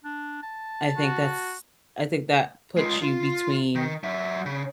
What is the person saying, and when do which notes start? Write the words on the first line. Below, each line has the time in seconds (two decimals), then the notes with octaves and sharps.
I think that's I think that puts you between,
0.04 D4
0.43 A5
0.98 F#4
2.77 G#3 F4
3.02 F4
3.75 D#3
4.04 F#3 E5
4.46 C#3